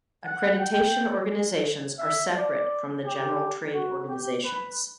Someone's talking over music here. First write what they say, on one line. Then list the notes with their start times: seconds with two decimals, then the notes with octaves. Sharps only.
Accreditation organizations are separate from the general trade organizations.
0.25 F#5
0.60 G5
1.99 E5
2.35 D5
3.04 G4
3.74 F#4
4.09 G4
4.45 B4